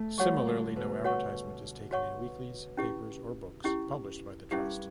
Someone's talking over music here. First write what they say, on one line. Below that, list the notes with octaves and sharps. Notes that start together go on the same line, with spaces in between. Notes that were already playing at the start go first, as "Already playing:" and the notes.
Similarly no advertisement is taken in weeklies, papers or books published by the Trust.
Already playing: A3
G3 F#4 C#5 F#5 C#6
D3
B2
F#4 C#5 F#5 C#6
F#4 C#5 F#5 C#6
C#4 E4 G4
C#4 E4 G4
G2 C#4 E4 G4